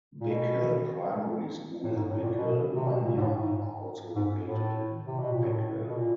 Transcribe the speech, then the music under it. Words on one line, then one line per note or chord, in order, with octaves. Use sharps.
Big Hill Primary School and Big Hill Vineyard are also located in Big Hill.
A#2
B2
A2
G#2
A2
A#2
B2
C3
B2
A#2
G#2
A2
G#2
G#2
A2
C3
B2
A#2
A2
B2
A#2